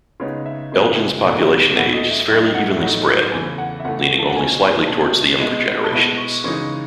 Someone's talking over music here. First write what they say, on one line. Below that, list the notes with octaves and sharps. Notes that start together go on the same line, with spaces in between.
Elgin's population age is fairly evenly spread, leaning only slightly toward the younger generations.
C#3 G#3 B3 D#4 C#5
E5
C#3 G#3 B3 D#4
E2 B2 A3 E4
E2 B2 A3 E4 F#5
D#5
E5
A2 F#3 A3 D#4 E5
F#5
E5
A2 F#3 A3 D#4 F#5
E2 C#3 E3 A3 G#5
F#5
E5
E2 C#3 E3 A3 F#5
F#5
A5
F#5
B2 G#3 C#4 G#5
G#5
B2 G#3 C#4 A5
B2 G#3 B3 E4
A5
B2 G#3 B3 E4 B5
C#6
C#3 E3 G#3 D#4 C#6